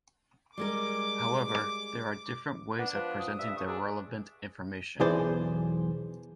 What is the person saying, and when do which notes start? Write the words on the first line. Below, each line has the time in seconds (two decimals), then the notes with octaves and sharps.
However, there are different ways of presenting the relevant information.
0.58 G3 G#3 A#4 D6
2.79 B3 D4
2.95 F3 B4
3.19 D#6
3.39 G2 E5
3.56 A3
3.68 D4 G#4
5.00 B1 E2 E3 G#4 C5 D5